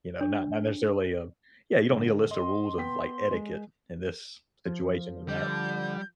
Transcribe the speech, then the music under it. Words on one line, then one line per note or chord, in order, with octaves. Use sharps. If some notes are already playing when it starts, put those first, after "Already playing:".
you know? Not not necessarily, um yeah, you don't need a list of rules of, like, etiquette in this situation than that.
D4
G#2 D3
D#5 C6
B3 G5 B6
G#3
F3
D3 G3 G6